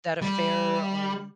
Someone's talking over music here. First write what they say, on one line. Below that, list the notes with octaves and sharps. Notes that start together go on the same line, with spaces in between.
that a fair, um,
G3